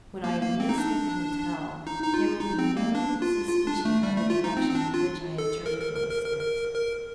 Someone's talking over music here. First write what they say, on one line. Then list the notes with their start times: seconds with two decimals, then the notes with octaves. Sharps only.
When I am missed at the hotel, there will be no suspicion of the direction in which I have turned my steps.
0.24 A#3
0.42 A#3
0.60 C4
0.69 D#4
0.78 D4
1.87 D#4
2.04 D#4
2.14 F4
2.40 D#4
2.59 C4
2.77 A#3
2.95 D4
3.22 F4
3.49 F4
3.67 D4
3.85 A3
4.03 G3
4.17 A3
4.30 F4
4.44 D#4
4.57 C4
4.70 C4
4.75 D4
4.94 F4
5.38 A4
5.66 A#4
5.80 A#4
5.96 A#4
6.11 A#4
6.25 A#4
6.40 A#4
6.74 A#4